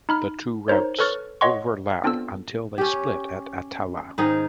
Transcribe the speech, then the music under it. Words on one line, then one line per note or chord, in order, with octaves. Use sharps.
The two routes overlap until they split at Attalla.
D#4 B5 F6
D#4 A#4 C5 C#5
A4 B4 C#5 C#6 F6 A6
C#5 D#5 F#5 C6 C#6
B3 C4 D4 F4 A4 E6
C#4 G4
G#2 D#3 D#4 G#4